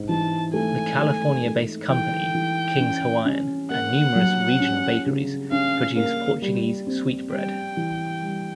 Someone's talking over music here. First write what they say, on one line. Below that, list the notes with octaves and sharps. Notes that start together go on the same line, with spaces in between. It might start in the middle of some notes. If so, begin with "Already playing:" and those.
The California-based company King's Hawaiian and numerous regional bakeries produce Portuguese sweet bread.
Already playing: G#2
E3 A5
A3 G#5
A3
A3
E3 G5
E3
C#4
C#4
A#3 F#5
F#3
C#4
C#3
C#4 F5
A#3 F5
G3
C4
G3 G5
E3
G3